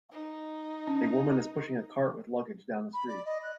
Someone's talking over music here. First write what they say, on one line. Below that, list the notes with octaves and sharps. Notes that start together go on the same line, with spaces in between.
A woman is pushing a cart with luggage down a street.
D#4
C#4
B5
D5
D#5
F#6